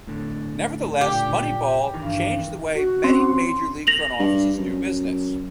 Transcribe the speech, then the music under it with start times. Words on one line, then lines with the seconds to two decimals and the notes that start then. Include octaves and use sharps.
Nevertheless, "Moneyball" changed the way many major league front offices do business.
0.07 A2 D3
1.01 A#2 G4
1.94 G2 D#3 E3
2.74 F#4
3.04 C4 C#4 C6
3.87 A#6 F7 F#7
4.19 G2
4.58 F#2